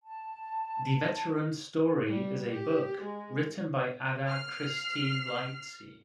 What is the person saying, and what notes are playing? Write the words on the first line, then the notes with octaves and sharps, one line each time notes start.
"The Veteran's Story" is a book written by Ada Christine Lightsey.
A5
G3
G4
G#3
F6 C7